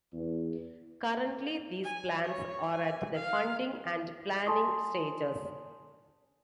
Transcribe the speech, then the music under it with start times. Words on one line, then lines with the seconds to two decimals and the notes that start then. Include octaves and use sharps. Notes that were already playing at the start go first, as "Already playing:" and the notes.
Currently these plans are at the funding and planning stages.
0.13 E2
1.84 G#5
2.24 C#5
2.71 G#5
3.15 F5
4.47 G#5 A5 C6 C#6 D#6